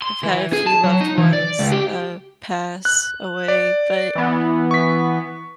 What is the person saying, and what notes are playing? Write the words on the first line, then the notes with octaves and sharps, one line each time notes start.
I've had a few loved ones, uh, pass away, but
C6
E3
G#4
A5
F#3
D#4
E3
D5
C#2
G4
F#6
D5
E3 B3
C#6 B6